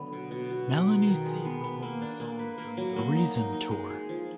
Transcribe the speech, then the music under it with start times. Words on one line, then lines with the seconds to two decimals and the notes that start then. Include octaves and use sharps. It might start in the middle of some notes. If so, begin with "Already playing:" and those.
Melanie C performed the song during the Reason Tour.
Already playing: D3 F#3 B3
0.13 B2
0.31 B2
0.50 F#4
0.69 B2
0.88 D#4
1.07 D#3
1.26 G#3
1.45 B3
1.64 B3
1.82 A#3
2.01 D4
2.20 A#3
2.39 B4
2.58 A#3
2.77 F#3
2.96 A#3
3.15 D#4
3.34 D#4
3.53 D#4
3.71 G#3
3.90 G#4
4.09 F3